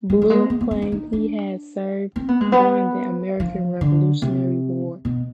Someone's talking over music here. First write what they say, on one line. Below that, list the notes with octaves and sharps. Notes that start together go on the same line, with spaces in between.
Blue claimed he had served during the American Revolutionary War.
G3
G3
G#3
B3
B3
C4
D#4
D#4
D4
C4
B3
G#3
B3
F3
D3
C3
B2